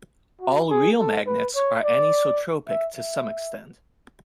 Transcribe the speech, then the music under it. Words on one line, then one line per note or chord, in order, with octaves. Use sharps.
All real magnets are anisotropic to some extent.
F#4
G#4
A4
B4
C#5
D5
E5
E5